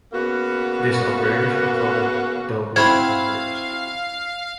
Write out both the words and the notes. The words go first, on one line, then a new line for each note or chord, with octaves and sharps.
These operators are called the Dolbeault operators.
C#3 A#3 B3 F#4
C4 E4 F#4 C5 F5 B5 G#6